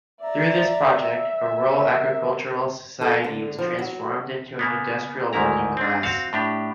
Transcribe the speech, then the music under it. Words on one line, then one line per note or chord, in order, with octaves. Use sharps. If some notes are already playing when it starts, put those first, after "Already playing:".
Through this project, a rural agricultural society was transformed into an industrial working class.
D5 E5 A#5
A#4
A4
D3
F3
F#3
C#3 A#3 B3
G#1 D2 G#2 D#3 E4 A#5
C4 D4
C4 F#4 F5
A2 D4 G4